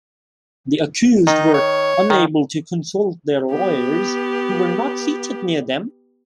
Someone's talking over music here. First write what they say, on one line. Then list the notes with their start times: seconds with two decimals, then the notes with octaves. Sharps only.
The accused were unable to consult their lawyers, who were not seated near them.
1.27 D#3 D#4
1.54 C#5
2.10 D#3
3.52 B3 G4